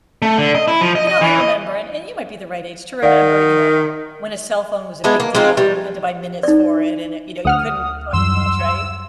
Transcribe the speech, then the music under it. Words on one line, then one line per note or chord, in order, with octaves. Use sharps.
you know, I remember and and you might be the right age to remember, you know, when a cellphone was a big deal and you had to buy minutes for it and it you know, you couldn't talk too much, right?
A3
D3
D#5
E4
F3
D#5
D#5
E3
D#5
D#3 D5 F5 F#5
G#3 B3 D4 E4
A#3
G#3 C4 D#4 F4
G3
D#4 D5
D2 F#5 D#6 F6
F#2 E3 G3 C6 E6